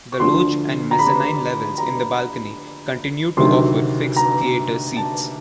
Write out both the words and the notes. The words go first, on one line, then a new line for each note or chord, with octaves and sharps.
The loge and mezzanine levels in the balcony continue to offer fixed theater seats.
C#6
D2 D3 F3 C6
A#5
B5
A#5
D2 C3 D#3 F#3 C6
A#5
A5